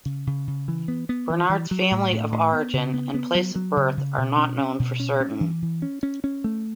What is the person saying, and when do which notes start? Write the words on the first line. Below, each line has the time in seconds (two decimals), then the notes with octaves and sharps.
Bernard's family of origin and place of birth are not known for certain.
0.06 C#3
0.27 C#3
0.48 C#3
0.68 E3
0.88 B3
1.09 B3
1.30 E3
1.50 E3
1.71 F#3
1.91 A2
2.12 A2
2.32 A2
2.53 B3
2.73 C#3
2.94 B3
3.14 B3
3.35 F#3
3.56 F#3
3.77 C#3
3.97 C#3
4.18 B2
4.38 C#4
4.58 C#4
4.79 B2
5.00 C#4
5.20 C#4
5.41 E3
5.62 E3
5.82 C#4
6.03 C#4
6.24 C#4
6.44 A3